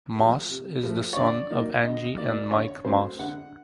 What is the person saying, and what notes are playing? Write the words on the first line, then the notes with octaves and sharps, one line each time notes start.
Moss is the son of Angie and Mike Moss.
F3 A3
C3
F3 A3
C#5
D3 D5
F#3 A#3 D#4
D3 D#5
F#3 A#3 D#4 D5
D3 C#5
F#3 A3 C#4 C5
D3 F#5